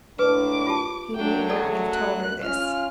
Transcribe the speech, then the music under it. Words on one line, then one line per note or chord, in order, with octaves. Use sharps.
He need not have told her this.
A2 A#3 D4 B4 D6
F4 G4 A5
F#2 F#3 A3 D4 G5
G#4 A4 D5
F#6
C#4 F4 F6